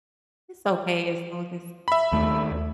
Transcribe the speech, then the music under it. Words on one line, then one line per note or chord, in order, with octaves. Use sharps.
it's okay as long as
E5 B5
D#2 A3